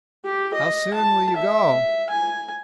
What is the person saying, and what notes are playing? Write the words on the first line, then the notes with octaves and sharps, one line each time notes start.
"How soon will you go?"
G4
D#5
A5
E5
G#5